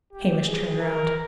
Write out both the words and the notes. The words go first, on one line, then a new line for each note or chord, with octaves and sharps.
Hamish turned round.
G4
G#4
A#4